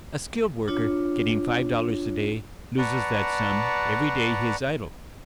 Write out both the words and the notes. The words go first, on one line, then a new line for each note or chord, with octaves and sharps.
A skilled worker getting five dollars a day loses that sum every day he is idle.
D4 F4 C#5
B4 D5 F#5 A5 A#5 C#6